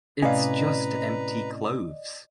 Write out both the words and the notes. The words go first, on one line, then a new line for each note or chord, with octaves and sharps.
It's just empty clothes.
A2 C3 C#4 B4 D5 D#5 F5 A#5